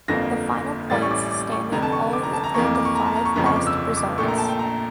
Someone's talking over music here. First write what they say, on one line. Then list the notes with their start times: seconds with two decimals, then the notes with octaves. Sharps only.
The final points standings only include the five best results.
0.08 G1 F2 D3 F3 A#3 A#6
0.90 A1 A2 G3 C#4 A6
1.02 C#6
1.11 D6
1.31 D6
1.52 C#6
1.72 F1 F2 D3 A#5
1.82 A5
1.92 C#6
2.13 D6
2.23 A#5
2.33 A5
2.44 A#5
2.54 F2 E3 A#3 C#6
2.65 D6
2.75 D6
2.85 C#6
2.95 A#5
3.06 A5
3.15 A#5
3.25 C#6
3.35 G1 F2 C#3 F3 A#5
3.46 C#6
3.56 D6
3.67 E6
3.77 E6
3.97 D6
4.18 A#1 A#2 A3 C#6
4.28 A#5
4.38 A5
4.48 G5
4.59 A#5